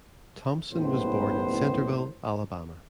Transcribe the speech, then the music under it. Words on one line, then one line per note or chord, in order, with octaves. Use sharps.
Thompson was born in Centreville, Alabama.
F#1 D#2 A2 G3 B3 C5